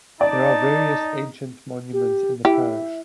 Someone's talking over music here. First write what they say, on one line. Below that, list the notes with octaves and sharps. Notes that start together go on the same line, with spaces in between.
There are various ancient monuments in the parish.
D#4 D5 A5
G4
E4 G4 E5